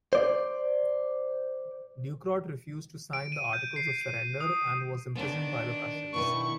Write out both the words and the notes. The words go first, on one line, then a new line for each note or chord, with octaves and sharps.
Ducrot refused to sign the articles of surrender, and was imprisoned by the Prussians.
C5 D5
D7
D#7
G6
C7
D#7
D#6
D#3 B3 D4
B2 D#3 E4 B4 C#6